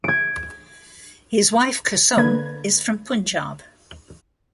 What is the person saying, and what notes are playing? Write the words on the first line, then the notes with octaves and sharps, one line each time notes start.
His wife Kusum is from Punjab.
G#6 D7
D3 A#3 B4 G#6